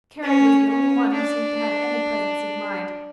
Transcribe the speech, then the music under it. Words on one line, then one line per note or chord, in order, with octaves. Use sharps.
Carry was the only one who seemed to have any presence of mind.
C#4
C#4
D4